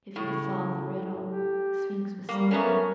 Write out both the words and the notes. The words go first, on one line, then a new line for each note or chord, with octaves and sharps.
If he could solve the riddle, the Sphinx was slain.
A2 C#3
G4
G3 A#3
A3 B3 C#4 A#4